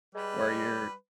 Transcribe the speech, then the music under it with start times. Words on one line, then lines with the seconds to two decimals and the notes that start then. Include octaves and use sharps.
where you're
0.15 G3 G#3 B4